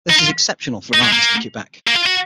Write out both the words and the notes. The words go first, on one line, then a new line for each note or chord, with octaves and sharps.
This is exceptional for an artist in Quebec.
D#4
F4
D#4
G#3
A#3
A#3
F4
F#4